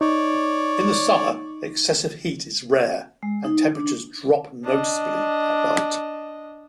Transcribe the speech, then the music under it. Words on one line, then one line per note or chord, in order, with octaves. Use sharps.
In the summer, excessive heat is rare and temperatures drop noticeably at night.
D#4 C#5 D5
G#3
D#4
D4
D4 D#5